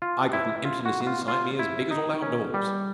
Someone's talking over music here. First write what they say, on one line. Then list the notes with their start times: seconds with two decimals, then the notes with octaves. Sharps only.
I got an emptiness inside me as big as all outdoors.
0.02 F4
0.33 E4
0.65 F4
0.85 F#4
1.07 F4
1.28 F4
1.59 E4
1.91 D#4
2.22 C#4
2.54 G3